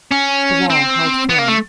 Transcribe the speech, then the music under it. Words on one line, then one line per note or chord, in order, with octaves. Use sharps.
The wall held firm.
C#4
C4
B3
A#3
A3